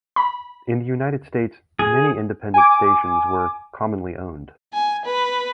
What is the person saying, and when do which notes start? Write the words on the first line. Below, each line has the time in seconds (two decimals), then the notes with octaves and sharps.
In the United States, many independent stations were commonly owned.
0.16 B5
1.79 G#4
2.54 G#5 D6
4.74 G#5
5.05 B4